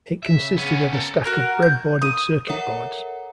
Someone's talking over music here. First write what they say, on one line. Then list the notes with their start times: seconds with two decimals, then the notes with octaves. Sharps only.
It consisted of a stack of breadboarded circuit boards.
0.23 E5
0.36 C#3
0.57 B3 C#4
0.93 A4 A#4
1.24 F#4 A#4 F6
1.62 G6
2.02 D#6
2.47 A4 A#4 C#5 E5 F#5 A#5